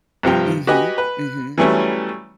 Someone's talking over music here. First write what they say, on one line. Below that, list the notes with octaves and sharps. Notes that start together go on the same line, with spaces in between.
Mhm, mhm.
G2 C3 F3 G5
F#4 G4 B4 D#5 G#5
B4
E3 F#3 G3 A3 B3 C#4